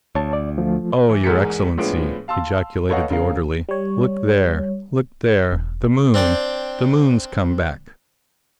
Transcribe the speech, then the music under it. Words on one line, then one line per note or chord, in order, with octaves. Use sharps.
"Oh, your Excellency," ejaculated the orderly, "look there! look there! The moon! the moon's come back!"
D2 C#5 A5
D5
F3 A3 F4
E3
E2 G#2 A#4 B6 C#7
A2 F3 G#3 B3 D4 D7
F5 A5 C6 E6
A4 B4 C#5 D#5 F5 F#5
C#3 A#4 F5
G3 C#5
E1
C4 D4 D5 G5